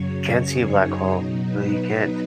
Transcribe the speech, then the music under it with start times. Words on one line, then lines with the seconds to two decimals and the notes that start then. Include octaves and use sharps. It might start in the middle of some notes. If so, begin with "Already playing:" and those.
Can't see a black hole. No, you can't.
Already playing: F#2 C#3 F#3 C#5
0.40 G#4
0.75 D#4
1.11 B2 F#3 D#4
1.47 B4
1.82 D#4